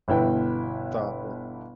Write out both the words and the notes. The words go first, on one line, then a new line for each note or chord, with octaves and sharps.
stop it.
G1 B2 E4 B4 G5